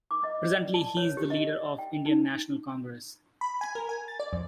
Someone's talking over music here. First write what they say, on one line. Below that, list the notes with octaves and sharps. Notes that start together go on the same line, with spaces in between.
Presently he is the leader of Indian National Congress.
D6
D#5
D5
A5
C#5
G4
D#5
D5
G5
D#4
B5
G#5
A#4
G#5
A6
D5
F2